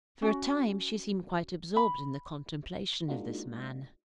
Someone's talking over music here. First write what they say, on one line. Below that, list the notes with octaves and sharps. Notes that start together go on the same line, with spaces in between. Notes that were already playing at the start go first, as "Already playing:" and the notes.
For a time, she seemed quite absorbed in the contemplation of this man.
C#4 F#4
B5
G#3 A#3 D4 D#4 F4 F#4